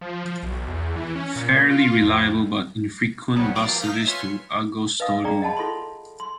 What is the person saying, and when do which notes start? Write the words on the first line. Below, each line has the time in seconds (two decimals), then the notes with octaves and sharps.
Fairly reliable but infrequent bus service to Argostoli.
0.01 F3
0.25 F3
0.43 B1
0.68 E2
0.96 E3
1.15 C#4
1.36 A#2
1.70 F4
2.02 F2
3.35 C2 F#3 G3 B3
3.55 D5 F5 A#5
3.68 F3 A#3 D#6
3.80 D#4 F5 F6 G6 B6
3.94 E5
4.06 F4 B4 C#5 G#5 C6
5.00 B4 D#5 F5 D#6
5.24 G#4 D5 G5 A#5
5.42 D#5 F#5 A5 B5
5.57 F4 A4 B5 C6
6.20 C6